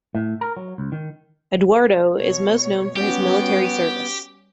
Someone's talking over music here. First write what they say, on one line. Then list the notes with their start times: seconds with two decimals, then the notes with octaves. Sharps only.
Eduardo is most known for his military service.
0.15 A2
0.41 A#4
0.57 F#3
0.78 C#2
0.92 D#3
2.18 B2 C#5
2.96 G3 B3 C#4 F#4 G4